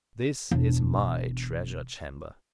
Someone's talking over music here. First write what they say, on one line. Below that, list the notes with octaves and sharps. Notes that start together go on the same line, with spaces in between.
This is MY treasure-chamber.
E1 D4